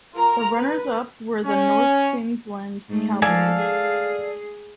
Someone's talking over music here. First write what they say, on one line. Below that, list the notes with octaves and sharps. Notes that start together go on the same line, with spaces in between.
The runners up were the North Queensland Cowboys.
F4 A#4 A#5
B4
C#4
G#2 A3
F3 A4 D5 F5 G#5
G#4